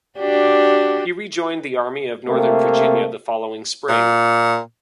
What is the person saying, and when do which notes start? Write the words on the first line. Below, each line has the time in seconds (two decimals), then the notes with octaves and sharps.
He rejoined the Army of Northern Virginia the following Spring.
0.19 D4 F#4 G4
2.28 C3 A3 A#3
3.89 A#2